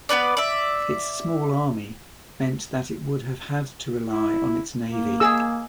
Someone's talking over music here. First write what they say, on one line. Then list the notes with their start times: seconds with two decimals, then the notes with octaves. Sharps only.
Its small army meant that it would have had to rely on its navy.
0.09 B3 E4 B4 D5
0.37 D5 E5
4.11 E4
4.90 A#3
5.20 G#4 E6